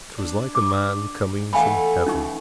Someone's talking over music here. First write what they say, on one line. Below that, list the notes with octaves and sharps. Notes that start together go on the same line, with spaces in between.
It was like a man coming from heaven.
D4
D6
E3 A3 B3 F5 G#5 B5
C#4 D#4 C#6